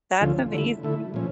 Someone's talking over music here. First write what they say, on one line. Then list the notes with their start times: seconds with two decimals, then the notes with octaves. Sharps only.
That's amazing.
0.21 D2 D3 F3 C#4 F4
0.52 D3 A3 E4
0.83 D3 A3 E4
1.14 A#2 F3 C#4